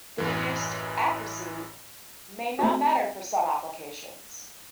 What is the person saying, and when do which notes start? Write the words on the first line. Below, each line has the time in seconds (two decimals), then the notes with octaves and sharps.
The reduced "accuracy" may not matter for some applications.
0.18 A1 F#2 E3
2.59 A3 C4 F#4